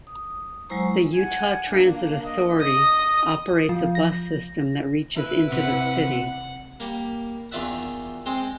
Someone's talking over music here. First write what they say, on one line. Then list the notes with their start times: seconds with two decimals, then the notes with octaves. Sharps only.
The Utah Transit Authority operates a bus system that reaches into the city.
0.07 D#6
0.69 F#3 G#3 E4 C5 A#5 C#6
1.14 F#5 G#5
1.69 A#3 D4
2.25 D#5
2.60 D#5 D#6
3.69 F3
3.95 A#6
5.16 E4 B4
5.52 C3 F#5
6.80 G3 A#3
7.51 E2 D#3 F4 D5 E5 F#5
8.26 G#3 C4 G5 C6